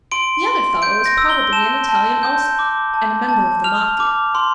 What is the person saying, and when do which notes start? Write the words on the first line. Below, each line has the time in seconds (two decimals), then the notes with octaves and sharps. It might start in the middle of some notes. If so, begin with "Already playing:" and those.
The other fellow is probably an Italian also, and a member of the Mafia.
0.12 C6 D7
0.47 C6
0.82 G6 D7
1.06 A#6
1.18 E6
1.30 G7
1.52 A5 E7
1.89 A5
2.23 G6
2.59 D6
2.94 A5
3.29 A5
3.64 F6 F7
4.00 D6
4.35 C6